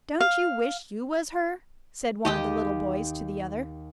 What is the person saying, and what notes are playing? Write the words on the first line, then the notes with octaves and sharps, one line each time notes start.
'Don't you wish you was her?' said one of the little boys to the other.
F5
D#2 D#3 G4 D#5 G5